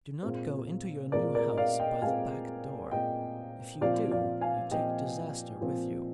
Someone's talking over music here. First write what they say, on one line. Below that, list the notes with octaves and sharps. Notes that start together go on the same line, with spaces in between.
Do not go into your new house by the back door; if you do you take disaster with you.
A#2 G#3 C4
A#2 G#3 C4 A#4 D5
A#4 D5
D#5
D5 F5
D#5 G5
A#2 G#3 C4 F5 G#5
A#2 G#3 C4 D#5 G5
A#2 F3 C4 D5 F5
D5 F5
F5 G#5
A#2 F3 C4 D#5 G5
A#2 F3 C4